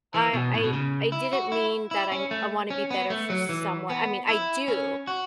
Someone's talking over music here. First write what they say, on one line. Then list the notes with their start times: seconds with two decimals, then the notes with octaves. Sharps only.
I I I didn't mean that I'm I wanna be better for someone I mean, I do.
0.14 E3
0.33 B2
0.54 A2
0.64 B2
0.73 C#3
1.12 E4
1.33 F#4
1.52 E4
1.91 E4
2.12 C#4
2.31 A3
2.70 C#4
2.91 B3
3.10 A3
3.30 F#3
3.49 E3
3.90 B3
4.29 E4
4.68 C#4
5.07 F#4